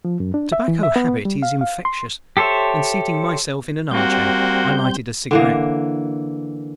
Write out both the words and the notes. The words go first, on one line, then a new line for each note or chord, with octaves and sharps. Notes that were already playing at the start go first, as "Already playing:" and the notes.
The tobacco habit is infectious, and, seating myself in an arm-chair, I lighted a cigarette.
F3
F#2
D4
E5
E3
E5
B3
G3
F5
F5
C6
G4 A4 C5 C#5 E5
G3 A#3 C4 F#4 G6
D3 E3 A#3